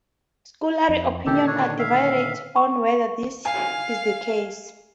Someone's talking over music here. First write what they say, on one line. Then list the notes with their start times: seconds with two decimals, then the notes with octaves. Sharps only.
Scholarly opinions are divided on whether this is the case.
0.89 F2
1.26 A#2 D3 D#3 G4 A4
1.47 D4 C#5
1.79 E5 F5
2.56 C#6
3.45 F5 G#5